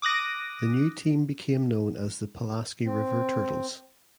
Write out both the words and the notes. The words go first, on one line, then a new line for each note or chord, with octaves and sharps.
The new team became known as the Pulaski River Turtles.
D6 D#6 F#6 A#6
C4